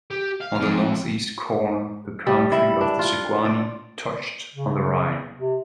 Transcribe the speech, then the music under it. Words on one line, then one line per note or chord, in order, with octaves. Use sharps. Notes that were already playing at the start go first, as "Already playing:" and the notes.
On the northeast corner the country of the Sequani touched on the Rhine.
G4
F5
F2
G3
E4
D4
F4
D5
C#3
C3